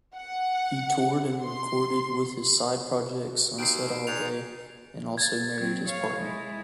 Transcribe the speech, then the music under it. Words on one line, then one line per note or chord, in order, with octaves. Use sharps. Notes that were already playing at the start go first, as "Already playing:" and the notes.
He toured and recorded with his side project, "sunsetsallday" and also married his partner.
F#5
C6
F#4
D#2 C7 D7
G#2 D5 F7
G#6 A6
F#3 C4 G#6
C#5 F5
G#3 E4